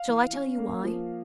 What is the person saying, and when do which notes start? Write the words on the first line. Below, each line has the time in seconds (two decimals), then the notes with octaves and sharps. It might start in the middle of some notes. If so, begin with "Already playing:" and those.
Shall I tell you why?
Already playing: F5
0.08 E3
0.33 C#4
0.58 A#3
0.84 F3